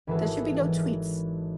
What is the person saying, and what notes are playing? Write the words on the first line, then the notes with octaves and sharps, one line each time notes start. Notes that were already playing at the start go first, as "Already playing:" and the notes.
There should be no tweets.
G#1 E3 G#3 F#4 A4
E3 F#3